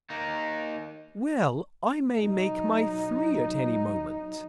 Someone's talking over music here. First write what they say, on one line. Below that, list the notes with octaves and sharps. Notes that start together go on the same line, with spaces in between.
"Well, I may make my three at any moment."
A#3 D#4
F#3 D#4